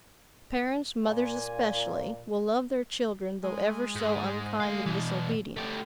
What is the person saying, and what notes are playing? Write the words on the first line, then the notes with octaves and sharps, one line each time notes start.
Parents, mothers especially, will love their children, though ever so unkind and disobedient.
A#2 G#5
G#3
G#2
A3 F5
B2 E3
A3 G4